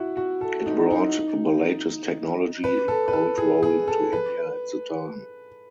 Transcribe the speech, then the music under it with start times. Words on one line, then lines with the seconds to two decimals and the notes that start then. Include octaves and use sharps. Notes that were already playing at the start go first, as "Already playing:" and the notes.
It brought the latest technology in cold rolling to India at the time.
Already playing: E4 F#4
0.17 F#4
0.41 A4
0.66 D#4
0.91 D#4
2.64 B4
2.88 A4
3.08 B4
3.13 A4
3.38 G#4
3.63 G#4
3.88 A4
4.13 B4